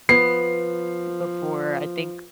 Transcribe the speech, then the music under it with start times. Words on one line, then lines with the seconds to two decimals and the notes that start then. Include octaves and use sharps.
before, I think
0.09 F3 B3 C7